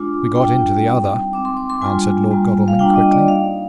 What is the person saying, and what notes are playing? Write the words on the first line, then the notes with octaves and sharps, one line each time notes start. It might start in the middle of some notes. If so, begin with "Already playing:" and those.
"We got into the other," answered Lord Godalming quickly.
Already playing: G#3 D4 F4 D6
G3 D4 F4 G5
G3 C4 D#4
G#3 C4 D#4 D6
C6
D6
C6
G3 A#3 D4 F4 G#5
G3 A#3 F4
F5
G3 A#3 D4 F4 G5
D#5
D5
A#3 D#4 F5